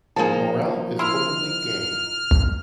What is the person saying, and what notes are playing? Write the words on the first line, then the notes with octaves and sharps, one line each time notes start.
Morel is openly gay.
F3 A#3 D#4 G#4 A5
E4 C5 F6